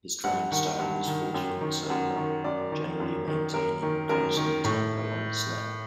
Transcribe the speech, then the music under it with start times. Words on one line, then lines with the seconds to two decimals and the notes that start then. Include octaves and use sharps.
His drumming style was forceful and sober, generally maintaining constant tempo on the snare.
0.24 G2 F#5
0.51 D#3 F#5
0.79 G2 F#5
1.07 D#3
1.34 F#2 G5
1.61 D#3
1.89 F#2 F#5
2.17 D#3
2.44 F#2 D5
2.72 D#3
3.00 F#2
3.27 D#3
3.54 F#2 A#4
3.82 D#3
4.09 F#2 A#4
4.37 D#3
4.64 A2